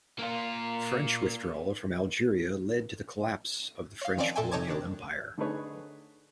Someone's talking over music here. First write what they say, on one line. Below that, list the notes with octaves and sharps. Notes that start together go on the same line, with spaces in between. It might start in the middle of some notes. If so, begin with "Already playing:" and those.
French withdrawal from Algeria led to the collapse of the French colonial empire.
A#3 F4
C#5 F5
D#3 F3 C4 C#4 C#5 D5
A#2 A4 E5 G5 G#5
C3 D#4 C#5 A5 D6 G#6
D#3 D4
D3 A3 D#4 G#4 B4 C#5